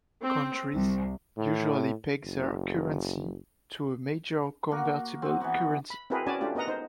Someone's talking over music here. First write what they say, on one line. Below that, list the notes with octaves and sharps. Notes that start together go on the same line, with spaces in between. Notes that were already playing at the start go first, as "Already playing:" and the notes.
Countries usually peg their currency to a major convertible currency.
C4
C2
A2
F#1
A#3 F#4
C4 F#4
E3 B3 F#4
B5
C4 E4 F#4 G#4 A#4 B4
C#4 F#4 D5 G#5 A5
A3 D4 F4 G4
B3 A#4 D#5 F#5 A#5
D#4 C5